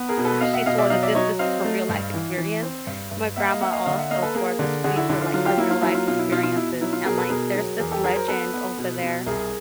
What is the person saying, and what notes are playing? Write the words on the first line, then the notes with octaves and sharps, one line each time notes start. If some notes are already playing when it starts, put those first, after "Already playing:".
ugh, she swore that this this was her real life experience. My grandma also swore this these were, like, her real life experiences, and, like, there's this legend over there,
Already playing: B3
G#4 A#4
B2
A4 B4
B2 D#5 F5
E5 F#5
B2 D#5 F5
D5 E5
F#3 D#5 F5
D5 E5
F#3 C#5 D#5
C4 D#5 F5
A3
G2
E3
E3
C4
G2
G2
A#3 E5 F#5
D#5 F5
A#3 E5 F#5
D#5 F5
D3 D#5 F5
E5 F#5
A#3 D#5 F5
A4 B4
A#3 G#4 A#4
D3
D3 F#4 G#4
E4 F#4
D3 E4
F4
F#3 F4
F4 G4
A#3 E4
F4
F#3 E4
F4
B2 F4
E4
B2 F4
F4
B2 E4
F#3 E4
F4
B2 G#4 A#4
A4 B4
B2 G#4 A#4
F#3
E2 G#4 A#4
G4 A4
F#3 G#4 A#4
A#4 C5
B3 A4 B4
B3
B2
B2
C2 G#4 A#4